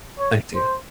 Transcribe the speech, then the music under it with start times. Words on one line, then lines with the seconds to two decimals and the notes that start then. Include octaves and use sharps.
I see.
0.19 C#5
0.55 C5